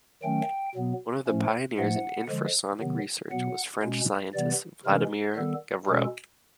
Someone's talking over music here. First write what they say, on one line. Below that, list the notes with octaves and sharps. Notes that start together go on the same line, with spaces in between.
One of the pioneers in infrasonic research was French scientist Vladimir Gavreau.
D#3 F#3 A3 C#4 G5
B2 F#3 B3
A2 F3 A3 C#4
A2 F3 A3 F#5
D3 F3 G#3
C3 D#3 F#3 B3
B2 F#3 B3 F#5
B2 G#3 C#4
C3 E3 G3 B3 D5
C3 E3 G#3 C#4 A#4
D#3 G3 B3 A4
B2 G#3 C#4 A4